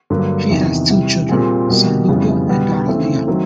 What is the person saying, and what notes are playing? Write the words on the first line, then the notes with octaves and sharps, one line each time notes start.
She has two children, son Luka and daughter Lea.
G2 D3 F#3 A#3
E2 C3 D#3
C3 E3 G3
A#2 G3 C4 F4 G#4
B2 G3 A#3
F2 C#3 E3 G3 B3
B2 G3 B3
C#3 E3 A3 C4
D#3 F#3 A3 C4